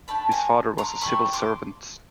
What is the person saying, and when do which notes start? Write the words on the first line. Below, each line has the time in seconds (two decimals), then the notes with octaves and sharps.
His father was a civil servant.
0.08 A3 D4 G4 A5 B5
0.32 G#5 A#5
0.78 A#5 C6
1.01 A3 D4 G4 B5 C#6
1.33 C6 D6